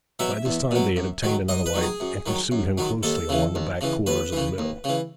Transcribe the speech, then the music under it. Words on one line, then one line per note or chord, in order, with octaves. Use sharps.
By this time they had obtained another light, and pursued him closely along the back quarters of the mill.
B2 F#3 E5
E2
B2 F#3
F#2
D#3 F#3
F#2 D#5
B4
D#3 F#3
G#4
F#2
D#3 F#3
F#2
D#3 F#3
D#2 A4
C#3 E3
D#2
C#3 E3
D#2 B4
C#3 E3
D#2
C#3 E3